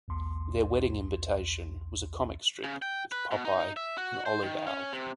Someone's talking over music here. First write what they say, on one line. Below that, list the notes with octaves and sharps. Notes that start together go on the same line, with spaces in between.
Their wedding invitation was a comic strip with Popeye and Olive Oyl.
B1 E2 C6
C#3
G5
B4
B2
D#4
E5
F#4
C5
D#3
C#4
C3